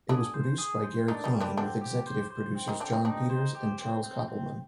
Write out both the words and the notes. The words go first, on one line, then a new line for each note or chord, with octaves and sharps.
It was produced by Gary Klein with executive producers Jon Peters and Charles Koppelman.
D3 D4 G#4
C5
G#4
C5
D#3 D4 D#4
D#3 D#4
G3
D3 D4
D3 C4 D4
G4
C5
C5
C4
D#3 D#4
D3 C4 D4
D#3 D#4
D3 D4 D#4
C5
G4
C4
C4
C4